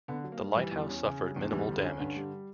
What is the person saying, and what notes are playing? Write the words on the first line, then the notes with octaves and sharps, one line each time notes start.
The lighthouse suffered minimal damage.
D3 B3
F#3
A#3
G2
E3 G3
E2
C#4
C#3
G3
E2
D3
E3 G3
D2
D3
C#4
G2 D3
G3